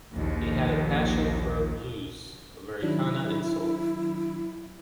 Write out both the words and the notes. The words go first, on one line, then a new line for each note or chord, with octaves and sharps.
He had a passion for blues, Americana and soul.
A#1 D#2
D#3 F#3 D4 E4